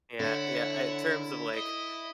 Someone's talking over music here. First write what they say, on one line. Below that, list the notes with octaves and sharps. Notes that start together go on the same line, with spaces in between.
Yeah yeah, in terms of, like,
D3 E4 C#5 F#5
D#5